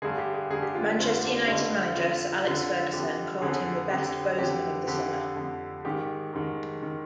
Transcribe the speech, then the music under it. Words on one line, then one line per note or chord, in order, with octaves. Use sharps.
Manchester United manager Sir Alex Ferguson called him the "best Bosman of the summer".
G2 D3 G#4
G4
G#4
G2 D3 G#4
G4
F4
D4
G2 D3 C4
D4
G2 D3 D#4
F2 D3 F4
F2 D3 F4
F2 D3 G4
F2 D3 G#4
F2 D3 G4
F2 D3 G4
F2 D3 G4
F2 D3
G#2 D#3 G4
G#2 D#3
D#3